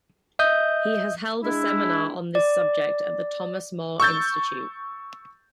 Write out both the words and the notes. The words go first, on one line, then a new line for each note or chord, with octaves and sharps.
He has held a seminar on this subject at the Thomas More Institute.
D#5 E5 D#6 G6
G#3 D4 E4
D5
C#6 E6 G6 A6